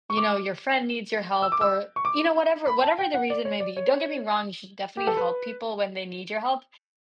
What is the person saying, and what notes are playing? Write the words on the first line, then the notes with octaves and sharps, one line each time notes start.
you know, your friend needs your help or you know, whatever whatever the reason may be, don't get me wrong, you should definitely help people when they need your help,
C#6
D6
E6
D6
E6
C#6
D6
B5
A5
G5
F#5
D5
C#5
D5
C#5
G4
A4
B4